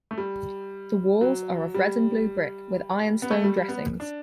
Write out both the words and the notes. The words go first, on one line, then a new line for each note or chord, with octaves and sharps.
The walls are of red and blue brick with ironstone dressings.
A3
G3
F#3
G3
B3
A3
G3
G3
B3
D4